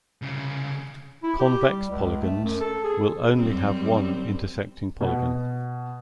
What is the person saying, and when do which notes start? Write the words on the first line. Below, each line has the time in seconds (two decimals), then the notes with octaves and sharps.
Convex polygons will only have one intersecting polygon.
0.22 C2 C#3
1.24 E4
1.40 G4
1.69 G3
1.91 C#2
2.21 A3
2.44 F#2
2.61 A4
2.84 G#4
3.37 F#2 G3 C4
5.01 B2